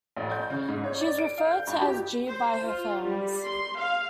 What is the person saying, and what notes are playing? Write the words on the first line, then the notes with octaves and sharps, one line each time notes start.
She is referred to as "Jee" by her fans.
A1
G6
C#3
G#2
C#5
D5
D7
F5
G6
G2
G4
C5
F4
G3
C6
F5